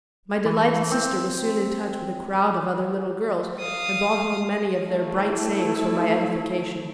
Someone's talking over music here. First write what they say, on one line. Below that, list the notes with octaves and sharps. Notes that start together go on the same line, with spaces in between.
My delighted sister was soon in touch with a crowd of other little girls, and brought home many of their bright sayings for my edification.
E3
C4
F5 D#6
A3 E4